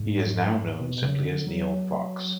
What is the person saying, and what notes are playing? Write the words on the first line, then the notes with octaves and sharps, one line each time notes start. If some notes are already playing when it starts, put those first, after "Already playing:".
He is now known simply as Neil Fox.
Already playing: G#2
B2
B2
C#3
D3
F#3